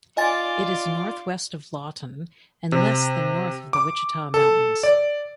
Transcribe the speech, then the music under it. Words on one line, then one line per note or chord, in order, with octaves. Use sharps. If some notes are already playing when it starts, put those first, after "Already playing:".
It is northwest of Lawton and less than north of the Wichita Mountains.
F4 D5 D#5 G#5 A6
C3
D6
A4
D5